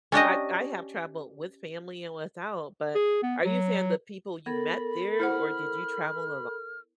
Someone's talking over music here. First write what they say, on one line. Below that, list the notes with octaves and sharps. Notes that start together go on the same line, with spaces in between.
I I have traveled with family and without, but are you saying the people you met there or did you travel alo
C#4 D4 G4 D#5
G#4
B3
F#3
B3 A4 A#4 B5
E4 C5 F#5 F6